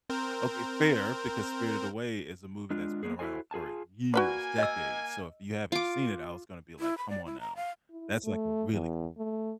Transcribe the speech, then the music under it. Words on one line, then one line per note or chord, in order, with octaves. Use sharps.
Okay, fair, because Spirited Away is a movie that's been around for years, decades. So if you haven't seen it, I was gonna be like, "Come on now." That's like a really good
C4 A#4 C5
G#3 D4 F4
A#3 B3 G#4
E4 F#4 A4 C5 G#5
F4 G#4 G#5 A5
A#3 F#4 B4 D5 G#5
D#5 E6
F4 D6
E4
B5
D5
E4
A#5
F5
E4
A3
E2
A3